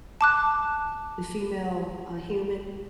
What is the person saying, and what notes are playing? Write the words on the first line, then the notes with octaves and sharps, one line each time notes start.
the female, uh, human.
A5 D6 F#6